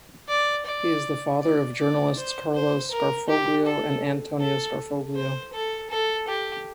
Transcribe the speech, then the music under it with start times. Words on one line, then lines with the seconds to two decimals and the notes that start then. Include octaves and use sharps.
He is the father of journalists Carlo Scarfoglio and Antonio Scarfoglio.
0.28 D5
0.65 D5
1.41 D5
1.77 D5
2.16 C5
2.54 C5
2.91 A#4
3.28 G4
3.65 A4
4.40 A4
5.15 C5
5.53 A4
5.90 A4
6.27 G4